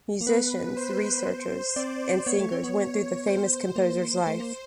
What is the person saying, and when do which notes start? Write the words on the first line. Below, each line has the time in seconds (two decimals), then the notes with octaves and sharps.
Musicians, researches and singers went through the famous composer’s life.
0.21 A#3
0.27 B3 B4
0.77 C5
1.76 C4 D5
2.26 B3 C#5
2.39 A3
2.52 C4
2.63 B3
3.27 C5
3.76 A#3
4.26 A3 C5
4.40 A#3